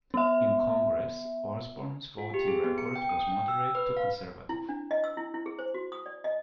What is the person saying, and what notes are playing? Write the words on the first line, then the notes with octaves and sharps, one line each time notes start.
In Congress, Osborne's voting record was moderate to conservative.
B3 E5
F4
G4
G#4
B3
C#7
G5
D#6
G5
E6
B4
F5
E4
D4
D#5
E6
E4
E4
G#4
C5
F#4
D#6
D5
D#5